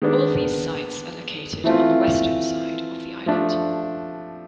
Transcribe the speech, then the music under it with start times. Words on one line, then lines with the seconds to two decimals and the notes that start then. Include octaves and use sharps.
All these sites are located on the western side of the island.
0.02 D#3 G#3 B3 D4
1.64 E3 A3 C4 F4
3.26 F3 A3 D4